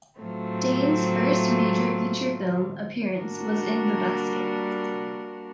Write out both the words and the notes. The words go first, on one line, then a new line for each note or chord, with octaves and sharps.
Dane's first major feature film appearance was in "The Basket".
A2 F#3 A3 C4 F4
G3 A#3 D4 F#4 A#4